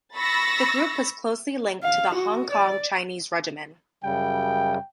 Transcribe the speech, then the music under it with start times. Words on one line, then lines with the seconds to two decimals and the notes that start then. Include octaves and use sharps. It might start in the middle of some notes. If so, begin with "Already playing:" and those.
The group was closely linked to the Hong Kong Chinese Regiment.
0.16 B5 C#6 E6 A6 A#6
1.83 F5
2.15 F#4
2.51 D5
4.04 F#2 C#3 G3 G5